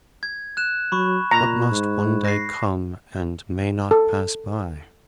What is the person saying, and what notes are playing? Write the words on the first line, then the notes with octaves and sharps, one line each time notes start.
What must one day come and may not pass by?
G#6
F#6 E7
F#3 B5 C#6
A#2 A#5
G#2
A#6 C7
A4